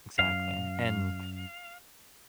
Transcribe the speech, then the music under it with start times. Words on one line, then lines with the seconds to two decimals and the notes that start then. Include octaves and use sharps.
Exactly, and,
0.19 F#2 F5